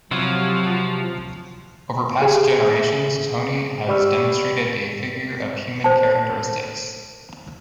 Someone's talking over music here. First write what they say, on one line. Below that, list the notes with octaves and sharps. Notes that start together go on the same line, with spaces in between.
Over past generations Tony has demonstrated a figure of human characteristics.
C3 F3 F#3 E4 F#4 C#5
G4 G#4
G#4 E5
G4 D5 B5 C#6 E6 F6
C5 A5